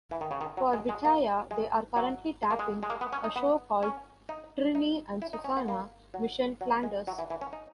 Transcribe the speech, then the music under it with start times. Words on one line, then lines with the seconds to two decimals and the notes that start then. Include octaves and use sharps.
For Vitaya they are currently taping a show called "Trinny and Susannah: Mission Flanders".
0.11 E3
0.21 D#3
0.31 C#3
0.41 D#3
0.57 F#3
0.73 G#3
0.89 G#3
1.05 A#3
1.51 G#3
1.96 F#3
2.43 G#3
2.51 A#3
2.59 G#3
2.83 G#3
2.90 A#3
3.01 B3
3.13 C#4
3.24 D#4
3.36 B3
3.83 C#4
4.29 D#4
4.75 D#4
5.22 E4
5.33 D#4
5.44 C#4
5.57 B3
5.68 A#3
6.14 F#3
6.61 F#3
6.83 G#3
7.07 F#3
7.19 E3
7.30 E3
7.41 C#4
7.53 D#4